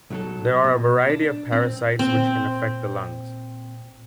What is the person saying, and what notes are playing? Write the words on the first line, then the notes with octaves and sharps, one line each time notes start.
There are a variety of parasites which can affect the lungs.
B1 F#3 A4
B2
D4
C4
A#2 C4